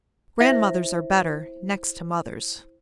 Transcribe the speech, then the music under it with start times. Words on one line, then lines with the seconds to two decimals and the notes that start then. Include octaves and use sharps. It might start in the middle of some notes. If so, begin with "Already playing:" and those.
Grandmothers are better, next to mothers.
0.40 E4 C5 E5